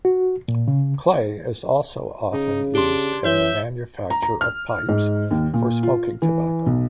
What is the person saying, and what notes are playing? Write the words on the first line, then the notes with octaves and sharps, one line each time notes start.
Clay is also often used in the manufacture of pipes for smoking tobacco.
F#4
A#2
C#3
C#3 D#4
D4 G4 C6
E3 C#5 E5 G6 G7
A#5
A#5
F6
G#2
D#2
A#2
F4
E3
B1